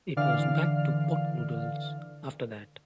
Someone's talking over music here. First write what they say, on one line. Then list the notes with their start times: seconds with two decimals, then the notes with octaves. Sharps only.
It was back to Pot Noodles after that.
0.16 D3 E3 D5 F5 F6